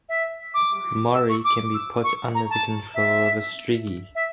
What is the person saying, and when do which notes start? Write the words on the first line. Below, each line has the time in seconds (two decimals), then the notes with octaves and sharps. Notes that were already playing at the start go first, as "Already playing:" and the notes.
Moroi can be put under the control of a strigoi.
0.09 E5
0.54 D6
1.14 E6
1.29 C#6
1.44 D6
1.74 E6
2.04 C#6
2.34 A#5
2.50 A5
2.94 E5
4.15 E5